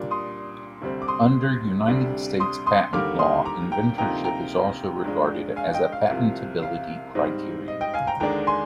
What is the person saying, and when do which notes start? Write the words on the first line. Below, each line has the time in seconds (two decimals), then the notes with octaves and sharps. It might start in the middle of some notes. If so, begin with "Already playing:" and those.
Under United States patent law, inventorship is also regarded as a patentability criterion.
Already playing: A#2 G3 D4
0.11 C6 D#6
0.82 D2 C3 G3 C4
1.02 D6
1.08 C6 D#6
1.88 D2 C3 G3 D4
2.40 C6 D#6
2.66 C6 D#6
2.93 D#2 D3 G3 A#3 D6 F6
3.19 C6 D#6
3.45 A#5 D6
3.72 G5 A#5
3.98 D2 C3 F3 A#3 D#4 G5 A#5
4.25 G5 A#5
5.04 G2 F3 G#3 D4
5.56 F5 G#5
5.74 D#5 G5
5.92 F5
6.09 C2 C3 F3
6.63 F5
7.15 G#2 G3 C4 D#4
7.68 D#5
7.81 D#5 G5
7.94 F5 G#5
8.07 G5 A#5
8.20 D#2 D3 G#3 D4 G5 A#5
8.47 G#5 C6